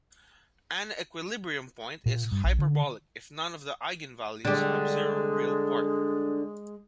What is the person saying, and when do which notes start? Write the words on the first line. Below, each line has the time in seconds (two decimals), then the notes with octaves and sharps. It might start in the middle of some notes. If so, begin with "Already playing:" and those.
An equilibrium point is "hyperbolic" if none of the eigenvalues have zero real part.
2.06 A#2
2.31 G2
2.44 A#1
2.59 D3
4.45 D3 G3 G#3